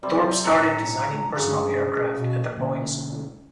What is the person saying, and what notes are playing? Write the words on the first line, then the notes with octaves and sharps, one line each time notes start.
Thorp started designing personal aircraft at the Boeing School.
C3 F#3 G3 C4 D5
A2 C#4 D4 A4 A#5
G2 C#3 F#3 F#4 G#4
B2
B2 D3 A#3 C#4